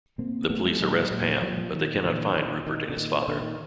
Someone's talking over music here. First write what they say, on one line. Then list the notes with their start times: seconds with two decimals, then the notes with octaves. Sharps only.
The police arrest Pam, but they cannot find Rupert and his father.
0.18 B2 A#3 C4
0.49 B2 A3 B3
0.65 G3 A3
0.80 A#2 F#3 G#3
1.11 A#2
1.42 A#2 F3 G3
1.53 F#3
1.57 F3 G3
1.73 A#2 D#3
1.95 F3
2.04 A#2 D3 E3
2.35 A#2 D#3
2.66 A#2 D#3
2.90 D3
2.97 A#2 D#3
3.28 A#2 D3
3.42 D#3